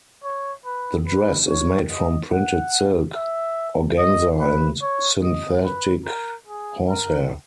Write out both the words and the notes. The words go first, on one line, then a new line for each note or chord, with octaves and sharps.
The dress is made from printed silk organza and synthetic horsehair.
C#5
B4
B4
C#5
D#5
F#5
E5
D#5
B4
C#5
D#5
B4
A#4
G#4
A#4